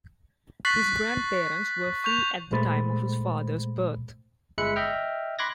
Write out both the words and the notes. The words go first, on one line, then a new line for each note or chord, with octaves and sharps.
His grandparents were free at the time of his father's birth.
C#6 F#6 A6 B6 C7 F#7
C#6 G6 F7
A#2 G#3 A3 C5 B5 A6
G1 G#3 E5 B5 F#6 C#7
D#5 E5 G5 F6
B5 C6 D6 F#6 G#6 A#6